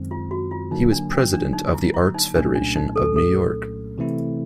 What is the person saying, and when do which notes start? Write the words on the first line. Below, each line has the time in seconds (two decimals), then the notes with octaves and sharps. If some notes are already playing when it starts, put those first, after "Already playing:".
He was president of the Arts Federation of New York.
Already playing: F#2 D#3 G#3 C4
0.11 F4
0.31 F#4
0.51 F4
0.71 D3 F#3 A#3 D#4
0.92 D4
1.13 C#4
1.33 D4
1.53 D#4
1.74 E4
1.94 E4
2.14 D#4
2.35 C2 A#2 F#3 A3 C#4 D4
2.55 D4
2.76 D#4
2.96 A4
3.16 A4
3.98 C3 E3 A3 C4 E4